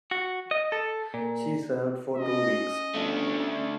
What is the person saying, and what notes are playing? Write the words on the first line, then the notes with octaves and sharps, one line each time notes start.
She served for two weeks.
F#4
D#5
A4
A#2
B2 C#4 D#5
G1 A3 D4